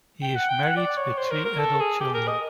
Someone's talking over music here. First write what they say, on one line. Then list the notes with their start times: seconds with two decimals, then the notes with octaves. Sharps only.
He is married with three adult children.
0.22 G5
0.36 F#5
0.49 G5
0.63 F#5
0.77 D5
0.97 C#5
1.18 C5
1.31 A#4
1.45 A#4
1.59 A4
1.80 G#4
2.00 G4
2.14 A#4
2.28 D#5